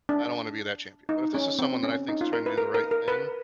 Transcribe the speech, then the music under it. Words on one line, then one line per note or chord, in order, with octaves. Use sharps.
I don't wanna be their champion, but if this is someone that I think is trying to do the right thing,
D4
D#4
C#4
C4
C#4
D#4
F4
A#4
B4
A#4
A#4
A#4
B4